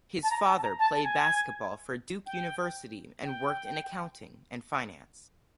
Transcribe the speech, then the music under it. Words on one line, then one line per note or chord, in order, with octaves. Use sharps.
His father played basketball for Duke University and worked in accounting and finance.
A5
A#5
A5
A5
A#5
A5
A5
G#5
G5
G5